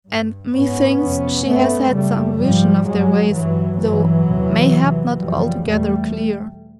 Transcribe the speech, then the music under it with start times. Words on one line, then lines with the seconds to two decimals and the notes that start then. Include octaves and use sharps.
And methinks she has had some vision of their ways, though mayhap not altogether clear.
0.08 G2
0.55 G#2 B3 C#4
1.01 F2 C3
1.47 G2 A3 B3
1.94 F#2 C#3 G3 A3
2.40 G#2 F3 G3
2.87 G2 F#3 G#3
3.34 G2 E3 F#3
3.80 G2 E3 F#3
4.27 E2 C3
4.74 E2 C3
5.20 F#2 C#3 F3 G3
5.67 E2 B2 G3 A3